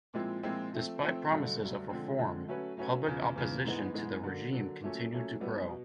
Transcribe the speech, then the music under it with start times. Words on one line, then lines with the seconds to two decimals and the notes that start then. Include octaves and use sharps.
Despite promises of reform, public opposition to the regime continued to grow.
0.14 A#2 F3 G#3 C4 E4
0.43 A#2 F3 G#3 C4 E4
0.73 F3 A3 C4
1.02 F3 A3 C4
1.31 G2 D3 F#3 A3
1.60 G2 D3 F#3 A3
1.90 D3 F3 G#3 C4
2.19 D3 F3 G#3 C4
2.47 F#3 A3 C#4 F#4 B4
2.77 F#3 A3 C#4 F#4 B4
3.07 E2 C#3 F3
3.36 E2 C#3 F3
3.65 G#2 E3 G#3 B3
3.94 G#2 E3 G#3 B3
4.23 D3 F#3 A#3
4.52 D3 F#3 A#3
4.82 A#2 F#3 A3 C#4
5.11 A#2 F#3 A3 C#4
5.40 B2 G3 B3 E4
5.69 B2